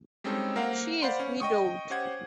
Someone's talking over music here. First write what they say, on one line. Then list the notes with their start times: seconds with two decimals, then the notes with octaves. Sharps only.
She is Widowed.
0.24 G3 G#3 C4 C#4 D#4 A4
0.56 A#3 A#4 C5 F5 F#5
1.02 C5 D5 F5 F#5 B5 C6
1.19 C#4
1.40 D#5 G5 C#6 D#6
1.90 C#4 G4 C5 F#5 G#6